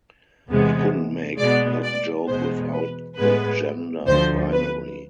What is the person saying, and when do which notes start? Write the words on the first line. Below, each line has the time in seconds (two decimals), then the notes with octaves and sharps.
You couldn’t make that joke without the gender binary.
0.49 E2 C3 G#3 B3
1.39 B2 G#3 B3 D5
1.83 D5
2.28 E2 B2 G#3 B3 C5
2.73 B4
3.17 A2 G#3 B3 B4
4.07 D2 D3 F3 C5
4.52 B4